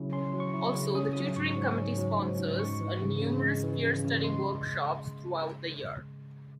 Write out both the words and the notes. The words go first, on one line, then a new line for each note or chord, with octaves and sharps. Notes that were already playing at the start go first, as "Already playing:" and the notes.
Also, The Tutoring Committee sponsors numerous Peer Study Workshops throughout the year.
Already playing: C#3 F#3 C#4 E4
C#4 C6
F#3
C#6
E4
C#3
C#4 D#6
F#3 D#6
G#2 C#6
G#2
C#4
F#3
G#2
G#2
G#3 C#6
E3
C#3
C#3
G#3
E3
C#3
C#3
G#3 C6